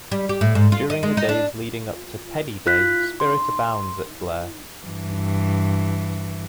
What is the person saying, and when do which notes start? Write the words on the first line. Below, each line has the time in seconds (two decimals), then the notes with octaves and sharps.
During the days leading up to Peddie Day, spirit abounds at Blair.
0.12 G3
0.29 G4
0.41 A2
0.55 G#2
0.72 F4
0.90 D#5
1.03 G#3
1.17 D#4
1.29 D4
2.66 F4 F#6 B6
3.20 C6
4.84 G2 E3